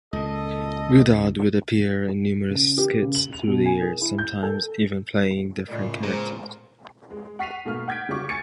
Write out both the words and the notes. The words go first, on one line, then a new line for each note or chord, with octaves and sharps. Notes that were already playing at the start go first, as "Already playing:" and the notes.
Goddard would appear in numerous skits through the years, sometimes even playing different characters.
C#2 A#2 A4 D#5
C#3
G4
C#3
F#7
F7
B2
G#5
G#4
E4
G6
A4
A2 C#3 F4 A#4 D5 D#5
A#2 G#3 B3 G#4 C5 A#5
G#3
F#5 C#6 B6 C7 D#7 F7
G#2 B2 A3 A#3 F6
F#5 G6 G#6 B6 D7
C#3 G3 F#4 C#6 D6
G#5 C#6 G#6 A6 C#7